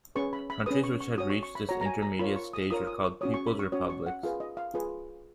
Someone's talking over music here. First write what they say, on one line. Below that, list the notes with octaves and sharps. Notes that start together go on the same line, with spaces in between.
Countries which had reached this intermediate stage were called "people's republics".
C#4 G#4 B4 C#6
B5
B5
C#4 G#4 B4 D#6
C#6
C#6
F#4 C#5 D#6
C#6
C#6
B5
F#4 C#5 A#5
A#5
G#5
A#5
F4 A#4 C#5 B5
C#6
D#6
F4 A#4 C#5 D#6
D#6
C#4 F#4 C#5 D#6
C#6
B5
C#6
C#4 F#4 C#5 D#6
C#6
F#5
F4 G#4 B4 F5
D#5
F5
F4 G#4 B4